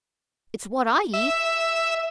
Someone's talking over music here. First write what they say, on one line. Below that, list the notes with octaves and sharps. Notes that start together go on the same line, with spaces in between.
"It's what I eat."
E5